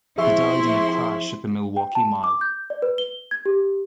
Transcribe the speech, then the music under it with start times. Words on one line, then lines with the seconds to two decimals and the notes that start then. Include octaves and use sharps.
He died in a crash at the Milwaukee Mile.
0.18 F3 C4 E4 G#4 E5 C6 C#6
1.77 G5
1.95 A5
2.24 D6
2.41 G6
2.70 D5
2.82 B4
2.98 G7
3.31 G#6
3.46 G4